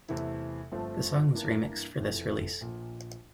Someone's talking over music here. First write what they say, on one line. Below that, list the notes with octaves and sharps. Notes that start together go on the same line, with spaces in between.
The song was remixed for this release.
E2 C3 E3 A3 E4
G1 G2 F3 A3 C4
G2 E3 A#3 D4
F1 F2 E3
A#1 A#2 F3